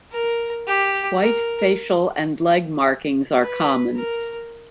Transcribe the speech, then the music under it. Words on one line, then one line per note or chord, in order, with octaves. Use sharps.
White facial and leg markings are common.
A#4
G4
A#4
B4
A#4